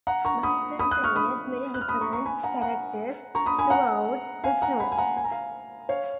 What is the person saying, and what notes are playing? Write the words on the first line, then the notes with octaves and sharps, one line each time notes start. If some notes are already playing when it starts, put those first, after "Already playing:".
Buxton played many different characters throughout the show.
F#5 A#5
A#5 C#6
B5 D#6
B5 D#6
D#6 F#6
C#6 F6
B5 D#6
F#6
F6
B5 D#6
A#5 C#6
A#5 C#6
G#5 B5
F#5 A#5
F#5 A#5
A#5 C#6
B5 D#6
G#5 B5
F#5 A#5
F5 G#5
F#5 A#5
G#5 B5
G#5
F#5 A#5
G#5
A#5
F5 G#5
C#5 F5